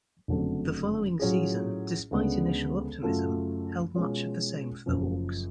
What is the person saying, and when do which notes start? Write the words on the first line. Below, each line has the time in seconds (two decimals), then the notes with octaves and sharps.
The following season, despite initial optimism, held much of the same for the Hawks.
0.28 F#1 F2 D3 F#3 A3
1.19 A2 F#3 C#4 F4 G#4
2.11 D2 C#3 G#3 B3 D4
3.03 F#2 C#3 F#3 A3 F4
3.95 B2 G#3 C#4 F4
4.86 F#1 F#2 F3